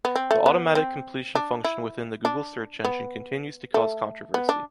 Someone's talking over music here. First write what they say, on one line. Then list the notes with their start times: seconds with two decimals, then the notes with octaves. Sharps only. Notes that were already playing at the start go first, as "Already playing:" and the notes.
The automatic completion function within the Google search engine continues to cause controversy.
0.05 B3
0.16 C4
0.31 A3
0.46 B3
0.75 C4
1.35 D4
1.64 E4
2.25 D4
2.85 B3
3.74 A3
4.34 B3
4.49 D4